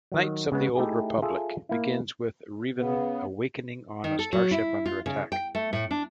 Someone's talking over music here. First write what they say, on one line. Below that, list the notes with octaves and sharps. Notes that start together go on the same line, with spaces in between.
"Knights of the Old Republic" begins with Revan awaking on a starship under attack.
D#3 F#3
C#3 G#3 B3
A3 D#4 E4 G4 G#4
F4 G#4 A4 E5
A#3 E4
C#3 B3
D#3
A4
F#3
E4
F4
C#3
G5
A3
A2
D4